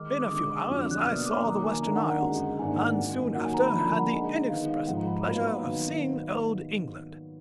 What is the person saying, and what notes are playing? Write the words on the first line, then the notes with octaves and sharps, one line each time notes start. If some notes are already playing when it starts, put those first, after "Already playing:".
In a few hours I saw the Western Isles, and soon after had the inexpressible pleasure of seeing Old England.
Already playing: D#3 G#3 D#4 D6 F6
D6
D#6
D3 G#3 D4 D6
F2 D3 F#3 D4
F#6
F6
B2 A#3 D4 D#6
D6
D#3 F#3 A#3 A#5
G#5
D#3 A#3 D4 A#5
F#5
F#5
F#2 D3 G#3 F#5
G#2 D#3 A#3 D4 G#5
F#5
F#2 D#3 A#3
D#3 F#3 A#3 F#5
G#5
A#5
B5
D3 F3 A#3 D4 G#5
F#5
D3 G#3 D#4
D#3 G#3 B3 D#4 F5
F5
G#2 F3 G#3 F#5
A#5
B5
A#5
A#2 F#3 B3 D#4 F#5
F5
F5
F#5
D#3 F#3 B3 F5